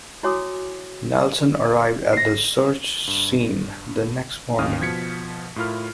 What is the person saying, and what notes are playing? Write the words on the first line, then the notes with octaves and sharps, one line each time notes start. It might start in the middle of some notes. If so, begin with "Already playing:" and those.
Nelson arrived at the search scene the next morning.
E4 F#4 C#5 G#5 D6 D#6
A#6 C7
G2 E7
D#2 C#4 D#5 F5 D#6 F6
B2 F3 G#6 B6 C#7
A2 E4 F4 A#4 F6